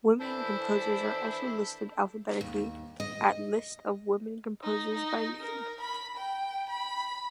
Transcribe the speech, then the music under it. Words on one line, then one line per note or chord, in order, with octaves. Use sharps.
Women composers are also listed alphabetically at List of women composers by name.
E3 D4 E4 A4 C5 D5
D#2
D#5
D#4
D#4
A#4
B5
G5
B5